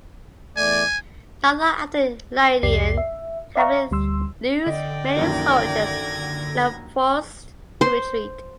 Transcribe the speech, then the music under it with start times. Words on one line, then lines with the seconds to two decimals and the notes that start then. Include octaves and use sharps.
Not long after the Lydian cavalry lose many soldiers and are forced to retreat.
0.57 E2 A3 D5 G#5
2.63 C2 F2 G4 D5 C7
2.97 E5
3.56 D5 E5 F5 A#5 C#6
3.91 D2 G3 C6 E6
4.66 D3 D5 D#5 G5
5.17 A#1 F#2 D#3 G#6 A#6
7.81 C5